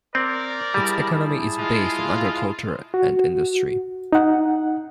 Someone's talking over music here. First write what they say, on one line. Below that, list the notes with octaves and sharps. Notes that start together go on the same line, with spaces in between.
Its economy is based on agriculture and industry.
C4 A#4 D5
G3 E4 G#4 A5
G#3 F4
F#4
D#4 F#5